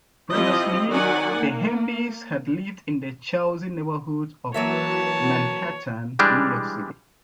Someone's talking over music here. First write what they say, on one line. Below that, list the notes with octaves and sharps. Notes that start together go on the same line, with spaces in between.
Previously, the Handeys had lived in the Chelsea neighborhood of Manhattan, New York City.
F3 C4 E4 F4 G4 D#5
D#3 F#3 D#4 D5 F#5 G#5
A#3
E3 F#3 A#3 F#4 B4 C#5 E5 A5
E3 G3 G#3 D4